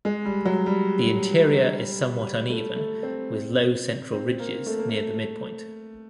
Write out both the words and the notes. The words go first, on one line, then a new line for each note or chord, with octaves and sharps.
The interior is somewhat uneven, with low central ridges near the midpoint.
G#3
G3
F#3
G3
A3
A3
C4
C4
A#3
A3
A#3
A3